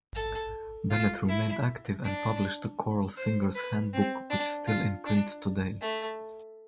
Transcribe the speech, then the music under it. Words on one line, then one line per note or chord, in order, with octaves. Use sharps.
Bennett remained active, and published the "Choral Singer's Handbook" which still in print today.
A4
F4
E4
D4
C5
B4
C4
D4
F4
D4
A3